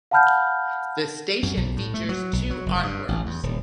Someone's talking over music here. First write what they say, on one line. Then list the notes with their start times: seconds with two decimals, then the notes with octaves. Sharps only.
The station features two artworks.
0.11 F5 F#5 A5 B5 F6 G6
1.43 F#2
1.57 B1
1.76 A2
1.94 A3
2.09 F#3
2.33 B1
2.50 F#3
2.66 F#1
2.83 G2
3.08 A1
3.26 E2
3.43 D#1